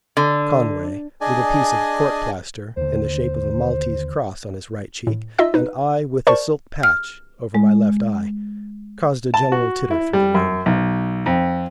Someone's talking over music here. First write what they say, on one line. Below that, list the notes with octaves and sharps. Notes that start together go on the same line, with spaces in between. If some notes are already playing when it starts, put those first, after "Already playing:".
Conway, with a piece of court-plaster in the shape of a Maltese cross on his right cheek, and I with the silk patch over my left eye, caused a general titter through the room.
D3
D4 G#4 D5 D#5 G#5
D#2 D3 C5
A2
D#4 F4 D#5 E5 E6
D#4 B4
A#4 C5 D5 A5 C#6
F6
G#3
A5
F#4
E4
G3
F#2
B1
F2